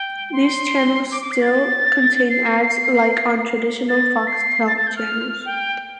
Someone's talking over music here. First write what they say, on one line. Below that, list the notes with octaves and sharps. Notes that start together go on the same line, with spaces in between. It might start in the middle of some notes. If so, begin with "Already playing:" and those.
These channels still contain ads like on traditional Foxtel channels.
Already playing: G5
C6
D6
D6
C7
A6
C7
A6
C7
A6
A6
G6
F6
G5